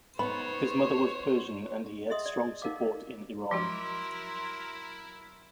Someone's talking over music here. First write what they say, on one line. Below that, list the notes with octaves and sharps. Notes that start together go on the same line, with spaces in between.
His mother was Persian and he had strong support in Iran.
B3 D#4 C5 C#5 B5
G#4 D#5 E5 F#5 C6 D#6
D5
D#4 A#4 F5 F#5 D6
F3 F#3 G#3 E4 F#4 A#4 C6